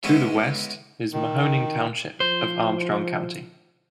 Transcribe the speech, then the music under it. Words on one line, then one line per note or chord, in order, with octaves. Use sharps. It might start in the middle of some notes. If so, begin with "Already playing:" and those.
To the west is Mahoning Township of Armstrong County.
G#3 B3 C#4 E4
D#3
F3 C5